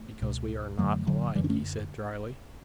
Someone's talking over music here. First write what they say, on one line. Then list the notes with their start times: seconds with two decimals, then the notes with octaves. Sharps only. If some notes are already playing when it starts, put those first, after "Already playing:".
"Because we are not alike," he said drily.
Already playing: A3
0.22 C#2 B2
0.78 F#2 D3 F#3 A3
1.07 D3 F#3
1.35 F#2 D3 E3 G3
1.44 D4
1.49 A3 C#4